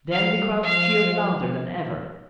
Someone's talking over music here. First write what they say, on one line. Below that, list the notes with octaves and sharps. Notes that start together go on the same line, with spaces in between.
Then the crowd cheered louder than ever.
F3 F5
G3
F3 F5